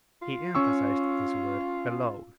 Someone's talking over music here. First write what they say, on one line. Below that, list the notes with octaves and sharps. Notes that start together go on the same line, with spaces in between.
He emphasized this word "alone."
F4
C#4 C#6 E6